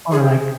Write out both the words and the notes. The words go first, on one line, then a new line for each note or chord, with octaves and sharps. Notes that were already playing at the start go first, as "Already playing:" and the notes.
or, like
G#4
G4
G#4